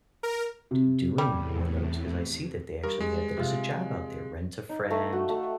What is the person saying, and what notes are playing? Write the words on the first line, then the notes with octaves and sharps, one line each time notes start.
d doing one of those," 'cause I see that they actually have that as a job out there, rent-a-friend,
A#4
C3
E2 A2 G3
G2 A#4
G#3
C3 F4
D#4
A3
F#4
A3